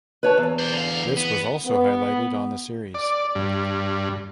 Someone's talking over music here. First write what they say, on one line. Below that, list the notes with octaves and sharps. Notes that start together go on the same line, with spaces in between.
This was also highlighted on the series.
B4 C#5 A5
E2
C5 D5
D3 F5
B3
B3
D5
G2